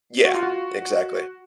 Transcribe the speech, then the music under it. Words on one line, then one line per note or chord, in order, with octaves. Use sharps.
Yeah. Exactly.
F#4
F4
F#4